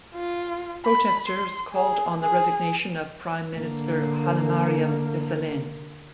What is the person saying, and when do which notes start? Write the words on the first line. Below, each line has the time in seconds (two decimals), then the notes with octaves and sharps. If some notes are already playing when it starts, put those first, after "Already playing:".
Protesters called on the resignation on prime minister Hailemariam Desalegn.
0.14 F4
0.85 B5
1.27 C6
1.73 G#4
2.20 G#4
3.57 D3 A#3